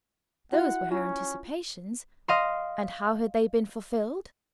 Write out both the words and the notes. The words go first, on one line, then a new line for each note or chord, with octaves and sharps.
Those were her anticipations--and how had they been fulfilled?
E4 F#4 E5 F#5
C#4 F4
D#5 F5 C6